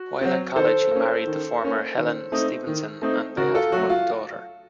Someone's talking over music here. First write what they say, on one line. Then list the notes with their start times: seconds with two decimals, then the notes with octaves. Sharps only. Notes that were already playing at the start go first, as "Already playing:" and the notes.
While in college he married the former Helen Stephenson, and they had one daughter.
Already playing: F#4
0.21 F#3 C4
0.56 D#3 A4 C5
0.92 A#3 C#4
1.27 D#3
1.62 A#3 C#4
1.97 D#3
2.32 A3 C4 D#4
2.67 D#3
3.02 A3 C4 D#4
3.37 C#3 F#4 A#4
3.54 F4 A4
3.72 F#3 A3 F#4
3.89 F4